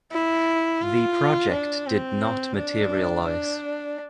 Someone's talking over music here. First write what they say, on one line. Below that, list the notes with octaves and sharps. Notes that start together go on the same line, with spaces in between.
The project did not materialise.
E4
F4
D4
C4
D4
D4